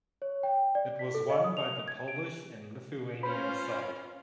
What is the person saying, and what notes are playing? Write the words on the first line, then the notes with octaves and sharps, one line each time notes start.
It was won by the Polish and Lithuanian side.
C#5
G5
D5
B6
A4
D#5
D#6
F7
G#6
D7
C#4 F4 B4 C5 B5